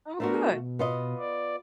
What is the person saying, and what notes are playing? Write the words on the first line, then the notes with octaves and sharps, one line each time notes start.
Oh, good.
A3 B3 D4 F4 F#4 A#4
B2
B3 F4 D#5
D5